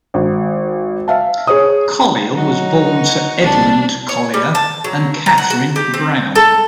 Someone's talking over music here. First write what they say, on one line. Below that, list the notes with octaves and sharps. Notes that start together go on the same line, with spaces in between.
Collier was born to Edmund Collier and Katherine Brown.
G#1
E5 F5 A5
G#4 C#5 D#6
F#3 D#4 F#4
C2 D4
C#5
G3
A5
F#3
A#5
F#5
F#4
G4
C4
A4